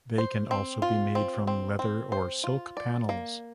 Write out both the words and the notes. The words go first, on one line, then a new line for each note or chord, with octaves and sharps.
They can also be made from leather or silk panels.
C5
C4
F4
C4
C4
C4
C5
F4
D5
A#3